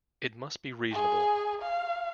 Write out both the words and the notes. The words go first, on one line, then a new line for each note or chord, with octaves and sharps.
It must be reasonable.
G#4
F5